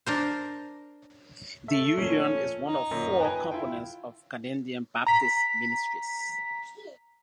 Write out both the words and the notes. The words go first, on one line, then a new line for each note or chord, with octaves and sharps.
The union is one of four components of Canadian Baptist Ministries.
D4 A#4 C5
A3 E5
A#2 F3 A3 C#4
D#4
F#2 A#2
B4 G5 G#5
E4 F4 G5
A#5 B6